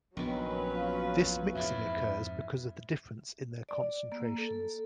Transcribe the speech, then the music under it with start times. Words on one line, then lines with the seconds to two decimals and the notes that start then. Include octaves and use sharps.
This mixing occurs because of the difference in their concentrations.
0.17 A#1 D#3 F#3 B3 C#4 B4
0.75 F4
1.55 F2 G#2 E4
3.69 D5
4.12 A#3
4.38 A4